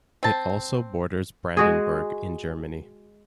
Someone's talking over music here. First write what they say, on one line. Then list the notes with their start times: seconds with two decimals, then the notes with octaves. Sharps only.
It also borders Brandenburg in Germany.
0.23 C4 A5
1.57 G#3 F#4 G#4